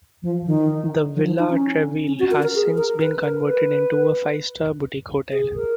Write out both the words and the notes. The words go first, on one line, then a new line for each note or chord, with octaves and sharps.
The Villa Treville has since been converted into a five-star boutique hotel.
F3
D#3
F3
F3
D#4
C#4
C#4
F#4
A#4
A#4
G#4
A#4
B4
A#4
B4
G#4
A#4